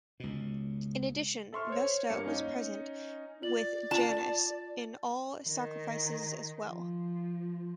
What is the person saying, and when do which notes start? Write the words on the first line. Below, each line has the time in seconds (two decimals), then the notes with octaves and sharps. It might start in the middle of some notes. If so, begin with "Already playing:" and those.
In addition, Vesta was present with Janus in all sacrifices as well.
0.20 C#2 B2
1.53 A4 E5 C6 C#6 F6
1.70 C5 C#5
2.10 G2 A#3 F5 C#7
2.25 C#4 D#4
3.42 F4 D5 F#7
3.91 F4 A5
5.47 D#3
6.68 F3